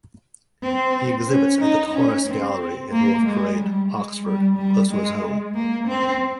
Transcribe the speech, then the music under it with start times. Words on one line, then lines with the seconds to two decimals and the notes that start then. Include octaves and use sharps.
He exhibits at the Taurus Gallery in North Parade, Oxford, close to his home.
0.63 C4
1.28 C#4
1.61 D#4
1.94 C#4
2.27 C4
2.92 A#3
3.26 G#3
3.58 G3
3.91 G#3
4.24 G3
4.57 G3
4.90 G#3
5.55 A#3
5.88 C4